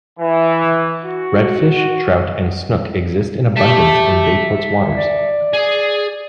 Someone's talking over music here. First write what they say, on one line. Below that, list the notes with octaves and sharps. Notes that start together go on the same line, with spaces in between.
Redfish, trout and snook exist in abundance in Bayport's waters.
E3
F#4
G4 E5 A5
D5
G#4